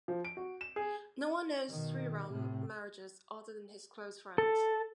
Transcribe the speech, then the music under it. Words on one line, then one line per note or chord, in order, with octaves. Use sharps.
No one knows Sriram marriages other than his close friend.
F3
D7
F#4
E7
G#4
B2 D#3
A2 C3
A4